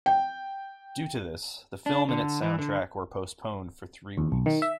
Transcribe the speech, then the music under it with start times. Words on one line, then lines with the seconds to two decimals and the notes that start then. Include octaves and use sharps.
Due to this, the film and its soundtrack were postponed for three weeks.
0.06 G5
1.86 D4
2.09 D3
2.42 E3
2.59 D3
4.18 D#2
4.32 B1
4.46 D#3
4.62 E5